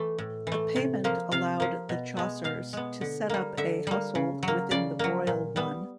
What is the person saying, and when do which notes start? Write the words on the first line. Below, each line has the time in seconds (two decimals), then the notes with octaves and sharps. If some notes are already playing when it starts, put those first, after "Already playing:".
This payment allowed the Chaucers to set up a household within the royal one.
Already playing: E3 A3
0.18 A2
0.47 E3 A3
0.76 C3
1.04 F3 A#3
1.32 C3 F5
1.60 F3 A#3
1.89 B2
2.17 G#3 B3
2.44 B2 F5
2.73 G#3 B3
3.01 D3
3.30 G3 A#3
3.57 D3 E5
3.87 G3 A#3
4.15 C#3
4.43 F#3 A#3
4.71 C#3 D5
4.99 F#3 A#3
5.27 A#2
5.56 G3 B3